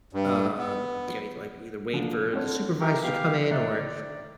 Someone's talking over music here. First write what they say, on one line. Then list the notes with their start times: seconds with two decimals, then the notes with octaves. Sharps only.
um, you know, like, either wait for the supervisor to come in or,
0.13 G2
0.58 B3
1.93 D3 F3 A#3
2.33 D3 C4 C#5
2.80 E3 G4 A#4
3.03 B3 G4 F5
3.51 D#3 D5 E5 F#6